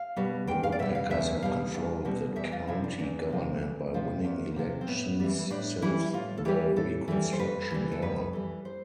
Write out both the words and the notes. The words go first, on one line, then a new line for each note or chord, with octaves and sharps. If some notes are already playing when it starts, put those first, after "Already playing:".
The Woodpeckers had controlled the county government by winning elections since the Reconstruction Era.
Already playing: F5
B2 G3
E2 G5
F5
D5
B2 G3 E5
F5
E2 E5
B2 G3 F5
E2
B2 G3
E2 E5
F4
C3 F3 E4
D4
E2 D4
C3 F3
E2
C3 F3
E2
C3 F3
C4
A2 B3
E3 G3
A2 D4
E3 G3 E4
A2 F4
A4
E3 G3 G4
A2 A4
E3 G3
C5
F2 B4
E3 G3
A4
F2 B4
E3 G3
C5